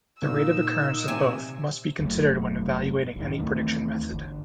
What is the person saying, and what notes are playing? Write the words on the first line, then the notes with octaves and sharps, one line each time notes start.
The rate of occurrence of both must be considered when evaluating any prediction method.
A#2 D#4 E6
C3 G#5
F1 G2 F#3 A3
B1 G#2 D#3
D#2 E3 A3 C4
G1